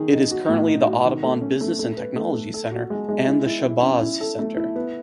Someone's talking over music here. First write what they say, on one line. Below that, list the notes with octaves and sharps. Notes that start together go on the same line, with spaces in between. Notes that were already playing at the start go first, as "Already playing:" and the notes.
It is currently the Audubon Business and Technology Center and the Shabazz Center.
Already playing: D#3 G#4
D#4
F#4
A2
D#4
F#4
D#3
A3
C#4
A3
A3
B4
A3
A3
A4
F#4
G#3
G#3
E4
E4
E4
C#4
E4
A4
A3
E4
B3